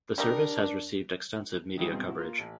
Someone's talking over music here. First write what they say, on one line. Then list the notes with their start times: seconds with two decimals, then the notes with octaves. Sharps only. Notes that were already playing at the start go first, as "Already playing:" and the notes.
The service has received extensive media coverage.
0.18 G3 D4 D#4 A#4
1.78 D#3 F#3 G3 E4 G#4
1.92 G2 B2 C4 G#4
2.07 E4 F#4
2.19 A#3 F4
2.39 A1